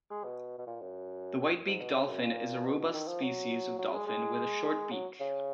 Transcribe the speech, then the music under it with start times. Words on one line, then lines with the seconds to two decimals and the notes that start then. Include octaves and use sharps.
The white-beaked dolphin is a robust species of dolphin with a short beak.
0.11 G#3
0.24 B2
0.59 B2
0.67 A#2
0.81 F#2
1.66 G#2
1.80 B2
1.94 C#3
2.09 F#2
2.23 A#2
2.65 B2
2.80 B2
2.94 D#3
3.08 F3
3.22 F#3
3.79 F#3
3.93 G#3
4.07 G#3
4.64 G#3
4.92 F#3
5.20 C#3